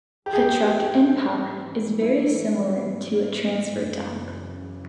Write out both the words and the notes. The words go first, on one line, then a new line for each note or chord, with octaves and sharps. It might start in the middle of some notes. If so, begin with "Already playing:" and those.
A "truck and pup" is very similar to a transfer dump.
G#2 E3 G3 G4
G#4
G4
G4
E4
F#2 C#3 E3